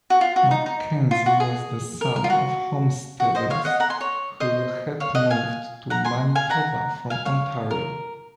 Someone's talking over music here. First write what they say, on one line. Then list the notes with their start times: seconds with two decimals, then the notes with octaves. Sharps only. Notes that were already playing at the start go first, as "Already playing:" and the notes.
McKenzie was the son of homesteaders who had moved to Manitoba from Ontario.
0.10 F#4
0.21 F4
0.36 F#4
0.51 D#4
0.66 D#4
1.11 F4
1.26 F#4
1.40 G#4
2.01 A#4
2.16 A#4
2.24 F4
2.30 F#4
3.20 F#4
3.35 C5 D#5
3.50 C#5 F5
3.65 D#5 F#5
3.80 F#5 A#5
3.90 G#5 C6
4.01 C#5
4.40 C5 D#5
5.00 C#5 F5
5.15 D#5 F#5
5.30 F5 G#5
5.90 F#5 A#5
6.05 G#5 C6
6.35 F5 G#5
6.50 F#5 A#5
7.10 F5 G#5
7.25 C#5 F5
7.71 A#4